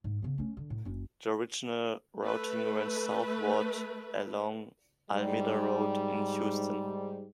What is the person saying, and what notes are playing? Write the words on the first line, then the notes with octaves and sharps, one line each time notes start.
The original routing ran southward along Almeda Road in Houston.
G#2
C#3 B3
A3 C#4
D3
A2
F#1 C#4
A3 B4
G#2 G3